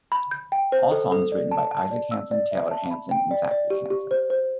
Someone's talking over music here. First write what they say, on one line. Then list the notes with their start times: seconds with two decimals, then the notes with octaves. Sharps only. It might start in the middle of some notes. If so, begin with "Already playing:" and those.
All songs written by Isaac Hanson, Taylor Hanson and Zachary Hanson.
0.12 B5
0.31 G6
0.52 G5
0.72 C5
0.92 A4
1.12 A4
1.32 D5
1.51 A5
1.71 A5
1.91 D5
2.12 E6
2.31 D5
2.51 E5
2.71 A5
2.91 B5
3.11 G5
3.31 D5
3.51 D5
3.70 G4
3.90 G4
4.11 C5
4.30 C5